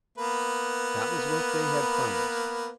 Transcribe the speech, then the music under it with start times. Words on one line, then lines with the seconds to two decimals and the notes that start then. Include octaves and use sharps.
That was what they had promised.
0.18 A#3 B3 B4